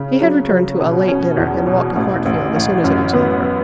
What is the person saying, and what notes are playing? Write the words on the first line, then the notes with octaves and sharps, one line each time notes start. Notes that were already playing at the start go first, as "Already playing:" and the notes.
He had returned to a late dinner, and walked to Hartfield as soon as it was over.
Already playing: C#3
F#3
F#3
B2
C#4
E2
B2
A1
A1
A1
F#2
B3